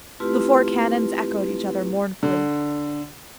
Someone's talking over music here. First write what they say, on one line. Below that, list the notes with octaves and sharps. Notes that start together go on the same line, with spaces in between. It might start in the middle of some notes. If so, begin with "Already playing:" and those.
The four cannons echoed each other mournfully.
A3 C4 E4 F4 G4 B4
D3